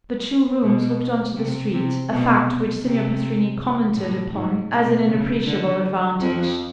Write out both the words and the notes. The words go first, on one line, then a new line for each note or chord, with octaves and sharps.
The two rooms looked onto the street--a fact which Signor Pastrini commented upon as an inappreciable advantage.
B2
C3
C3
B2
C3
A2
G#2
B2
C#3
D3
F2 F3